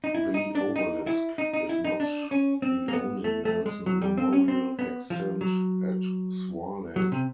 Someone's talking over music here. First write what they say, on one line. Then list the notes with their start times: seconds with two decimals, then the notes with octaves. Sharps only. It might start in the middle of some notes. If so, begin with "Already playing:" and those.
The obelisk is not the only Nelson memorial extant at Swarland.
0.04 D#4
0.15 E4
0.34 D#4
0.55 D4
0.76 D#4
1.07 E4
1.38 D#4
1.53 D#4
1.69 E4
1.85 D#4
2.00 D4
2.31 C#4
2.62 C4
2.88 A#3
2.93 B3
3.24 A3
3.45 A3
3.66 G#3
3.86 F#3
4.02 G3
4.17 C4
4.33 C#4
4.48 C4
4.79 B3
5.10 F3
5.41 F#3
6.96 F#3
7.12 C3